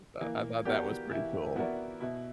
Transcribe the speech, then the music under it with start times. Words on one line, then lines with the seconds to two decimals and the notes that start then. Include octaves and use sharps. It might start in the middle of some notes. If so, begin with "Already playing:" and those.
Uh, I thought that was pretty cool.
0.21 E3 A#3
0.65 B3 F#4 G4 A#4 D5
1.11 E3 E4
1.56 B3 E4 F#4 A#4 D5
2.01 B2 E4